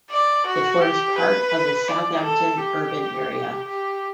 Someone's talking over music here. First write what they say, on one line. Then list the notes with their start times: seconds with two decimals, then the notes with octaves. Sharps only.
It forms part of the Southampton Urban Area.
0.10 D5
0.46 F#4
0.82 G4
1.17 B4
1.88 D5
2.25 A4
2.60 G4
3.68 G4